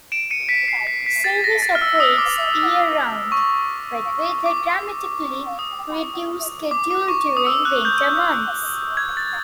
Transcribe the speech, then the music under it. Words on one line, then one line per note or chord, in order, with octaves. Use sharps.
Service operates year-round, but with a dramatically reduced schedule during winter months.
D7 E7
C#7 D#7
B6 C#7
C7
B6
B6
A6
A#6
A6
F6
E6
E6
D#6
D6
C#6
D6
D#6
D6
D6
C#6
D#6
E6
F#6
G6
G#6
A6